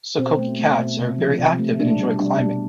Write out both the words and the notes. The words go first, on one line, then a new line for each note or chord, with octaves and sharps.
Sokoke cats are very active and enjoy climbing.
B2 C4
A3
A3
B2
C3
F3
C3
A3
B2 D4
G3
G3 D4
B2